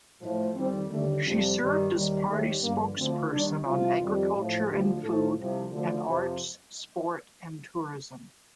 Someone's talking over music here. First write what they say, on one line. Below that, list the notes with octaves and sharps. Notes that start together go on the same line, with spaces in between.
She served as party spokesperson on Agriculture and Food; and Arts, Sport and Tourism.
A2 F3
F2 D#3 G3 C4
D#2 D3 G3 A3
F2 C3 F3 G3
G2 D#3 G3
D#2 D#3 G3
D#2 D#3 G3 A3
G2 D3 F3 A#3
D2 D3 F3 C4
D#2 D#3 G3 D4
C2 C3 F3 F4
F2 D#3 G3
A2 F3
D2 D3 F3 G4
A2 F3 A4
C2 C3 F3
D2 D3 F3 A4
F2 C3 F3 C5